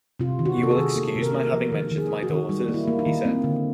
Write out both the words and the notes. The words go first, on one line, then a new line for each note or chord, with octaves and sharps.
"You will excuse my having mentioned my daughters," he said.
C3 F4
D#3
F#4
C3
A4
G#4
D#3
A#3 A4
C3
A#4
A#3
A#4
F3
D#3
D#3
G#4
D#3
F#4
D#3
G3 D#4
A#3
E4
A#3
D#4
D#3
A#3 C4
D3